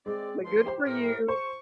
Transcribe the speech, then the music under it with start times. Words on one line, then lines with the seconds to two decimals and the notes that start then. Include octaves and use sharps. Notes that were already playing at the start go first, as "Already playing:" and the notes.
like, "Good for you."
0.06 G#3 C4 D5
0.45 C#2 F3 C6
0.66 G4 C5
0.86 A2 A#4
1.28 C5 C#6